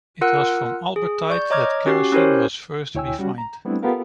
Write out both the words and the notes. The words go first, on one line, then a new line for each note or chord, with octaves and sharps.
It was from Albertite that kerosene was first refined.
F4 A#4 F#5 E6 F#6
G#4
D5 C#6 G6
C#5 D#5 A#5 D6 F6 G#6
C#4 F#4 G4 A6 C7
C#4 E4 G4 A#4 C5 C#5
D2 E4 C#5 G5 G#5 E6
G3 C#4 F#4
A#5
G3 A3 B3 C4 D4 E4
B3 F4 G4 A4 A#4 F5